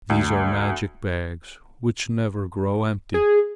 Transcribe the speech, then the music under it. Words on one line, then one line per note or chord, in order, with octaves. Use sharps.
These are magic bags which never grow empty.
D2
G#4